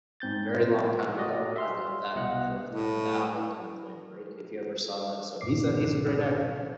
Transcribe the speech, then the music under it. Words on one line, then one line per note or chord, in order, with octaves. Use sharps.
a very long time ago. I love that. I loved him in that. I loved him in Point Break, if you ever saw that, so he's a he's a great actor, man,
G#2 C4 G6 A6
F4
F#4 G4 D5 D#5
E5 C6 F6
C2 B2 D#5 F#5 F#6
A2
B1 G2 A#2 D6 C7